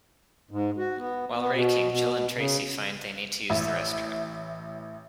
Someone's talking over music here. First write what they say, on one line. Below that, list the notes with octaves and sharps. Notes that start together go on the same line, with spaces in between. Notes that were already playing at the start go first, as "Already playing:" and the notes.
While raking, Jill and Tracy find they need to use the restroom.
G#2
F#4
B3
B3
B2
B2
C#3
A1 E4 E5